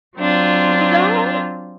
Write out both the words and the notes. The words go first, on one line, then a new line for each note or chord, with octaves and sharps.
You don't?
F#3 C4 D4 F4